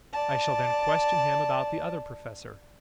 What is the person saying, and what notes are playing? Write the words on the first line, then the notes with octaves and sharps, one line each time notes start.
I shall then question him about the Other Professor.
D5 A5